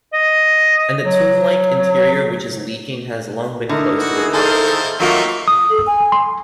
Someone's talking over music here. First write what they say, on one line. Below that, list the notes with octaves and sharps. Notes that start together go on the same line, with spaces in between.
And the tomblike interior, which is leaking, has long been closed to the public.
D#5
F#3
D3 D#4 E4 A#4
F#4
G#4
D#3 A#3 G#4 A4 C5
F#3 A3 A#3 C4 D#4 F4 F#4
D#6
A4
G#5
C6